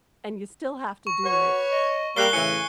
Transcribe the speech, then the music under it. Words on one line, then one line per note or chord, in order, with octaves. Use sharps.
and you still have to do it,
C#6
F#4 B4 C#5
D#5
G3 A#3 F#6 C7 G7
A2 C#3 E3 G#5 C#7